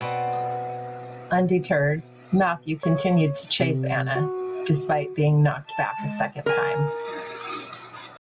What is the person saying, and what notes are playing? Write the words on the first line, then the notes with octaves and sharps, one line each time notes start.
Undeterred, Matthew continued to chase Anna despite being knocked back a second time.
B2 B3 C4 D5
C#5
C3
F#4
A5
G#3
A#4 G#5